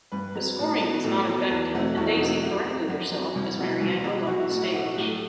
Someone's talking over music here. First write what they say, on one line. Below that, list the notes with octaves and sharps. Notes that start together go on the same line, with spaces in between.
The scoring was not affected and Daisy corrected herself as Mariangel left the stage.
G2 B4
F#3 C4
A2
F#3 B3
A2 A4
F#3 B3
E2
B2 F#3 A3 C4
E2 F#4
E4
D#4
B2 F#3 A3 C4 E4
F#2 G4
F#3 C4
F#2
F#3 C4
C2
B2 F#3
C2
B2 F#3
B1 F#4
E4
A2 F#3 F#4
E4
B1 E4
F#4
A2 F#3 G4
A4